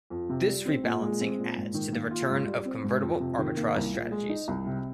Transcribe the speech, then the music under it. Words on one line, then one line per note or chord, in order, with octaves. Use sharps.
This rebalancing adds to the return of convertible arbitrage strategies.
F2
C3
G3
C4
A#2
G#3
C4
A#2
G#2
D#3
A#3
F4
G#2
G3
C4
G#2
F2
C3
D#3
A#3
C2
A#2
G#3
D#4
C2
C3